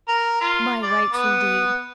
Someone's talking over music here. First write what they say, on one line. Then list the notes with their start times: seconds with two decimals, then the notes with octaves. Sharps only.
"My rights, indeed!"
0.08 A#4
0.41 F4
0.83 D5
1.12 B3